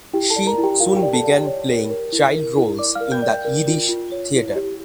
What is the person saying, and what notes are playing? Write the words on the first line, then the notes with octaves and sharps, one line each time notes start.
She soon began playing child roles in the Yiddish Theatre.
E4 G4 G5
A4 A5
D5
A#4 A#5
E4
G4 G5
F4 A#4 F5
G4 G5
D5
A4 A5
D5
G4 G5
C#5
A#4
A#4
E4
A#4
E4
D5 D6
F5 F6
A#4
G5 G6
D5
G5 G6
A#4
F4
F4
C#5
E4
G4